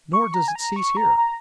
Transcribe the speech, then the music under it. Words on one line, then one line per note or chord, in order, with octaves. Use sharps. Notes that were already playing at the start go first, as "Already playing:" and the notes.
Nor does it cease here.
C#6
A#5
G#5
A#5
C#6
A#5
A#5